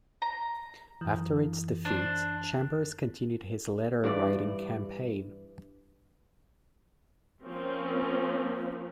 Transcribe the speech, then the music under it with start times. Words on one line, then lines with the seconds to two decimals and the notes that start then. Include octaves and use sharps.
After its defeat, Chambers continued his letter writing campaign.
0.22 A#5
1.01 F#2 E3
1.85 D4 C5
4.04 G2 E3 D5
7.43 F3 A#3 C4 C#4